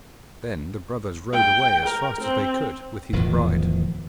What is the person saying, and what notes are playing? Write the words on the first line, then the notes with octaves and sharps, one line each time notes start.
Then the brothers rode away as fast as they could, with his bride.
G5
A#4
C4
D1 E2 D#3 F3